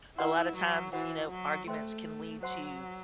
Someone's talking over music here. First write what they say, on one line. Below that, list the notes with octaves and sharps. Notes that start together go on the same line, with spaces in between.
A lotta times, you know, arguments can lead to
E4 G4 B4 D5 F#5 C6
F#3
E3 F#4 C5 F#5
F#3
A3 C5 E5 G5 C6
F#3 C5 F#5 C6